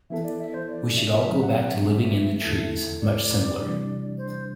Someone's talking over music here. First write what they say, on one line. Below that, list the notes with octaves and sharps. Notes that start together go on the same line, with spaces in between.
We should all go back to living in the trees, much simpler.
E3 B3 E4 A4 E5
D5
E5
C5
D5
E5
D5
E5
D3 F#3 A3 C4 E5
F#5
F#5
E5
E2 D3 A3 E4 A4
D5
C3 E3 G3 D4
C5